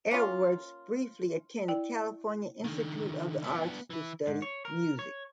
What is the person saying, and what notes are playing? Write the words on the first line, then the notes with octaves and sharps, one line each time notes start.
Edwards briefly attended California Institute of the Arts to study music.
A#3 C#4 F4
E4 D5 G5
D3 D#3
B3 D4
E3 E4
G#2
C#5
A#4
C#5